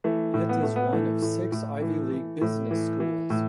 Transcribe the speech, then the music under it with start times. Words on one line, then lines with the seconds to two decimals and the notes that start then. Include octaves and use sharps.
It is one of six Ivy League business schools.
0.04 E3 A3
0.34 A2
0.49 B3
0.62 A2 A3
0.76 B3
0.93 E3 A3
1.22 A2
1.52 A2
1.82 E3
2.12 E3
2.41 A2
2.71 E3
3.00 E3
3.30 A2